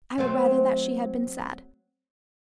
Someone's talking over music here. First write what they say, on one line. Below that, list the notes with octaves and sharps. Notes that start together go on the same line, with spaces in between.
I would rather that she had been sad.
F#3 A3 C4